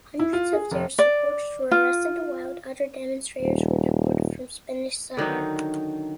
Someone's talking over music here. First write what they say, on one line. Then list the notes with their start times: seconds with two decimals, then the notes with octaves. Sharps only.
Hundreds of their supporters were arrested, while other demonstrators were deported from Spanish Sahara.
0.20 E4
0.33 F4
0.53 G#4
0.71 F1
0.99 D5
1.71 F4
3.42 D#1
5.17 D3 D#3 F#3 D#4